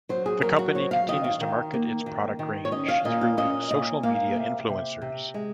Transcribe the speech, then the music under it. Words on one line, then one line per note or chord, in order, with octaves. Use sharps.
The company continues to market its product range through social media influencers.
F#3 C5
G#4
F#3 A#4
F#4
C4 C#5
F5
D#3 D#5
F5
D#3
A#3
D#3
D#3
C#5
C#4 D#5
F5
A#2 D#5
F5
C#4 D#5
A#2 D#5
A#3 F5
C3
C3
C3
G#3